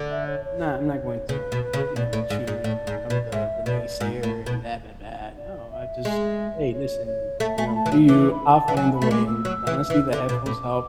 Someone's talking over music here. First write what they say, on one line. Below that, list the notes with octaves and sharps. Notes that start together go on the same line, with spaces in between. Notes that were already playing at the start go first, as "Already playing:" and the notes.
Nah, I'm not going to in you know, intrude and become the the naysayer and, blah, blah, blah, no, I just "Hey listen, you know, do you, I'll find a way," and honestly the headphones help,
Already playing: D3
E5
C#5
C#5
C#3 B4
B2
B4
C#3
B2 D5
A2
G#2
G#2
A2
G#2
B2
G#2 E5
B2 D5
G#2
A2
B2
D5
E5
G#3
C#5
C#5
A3 E5
A3 G#5
B5
A5
E3
F#3
E3 D6
B5
A5
E3
F#3 G#5
B5
A3
G#3 D6
E6
F#3
E3
E3
D3 D6
B2
A2 D6